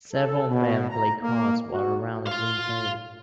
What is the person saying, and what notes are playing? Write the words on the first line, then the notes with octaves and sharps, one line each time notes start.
Several men play cards while around a green table.
A4
B2
A#5
A#3
F#4
F4 F5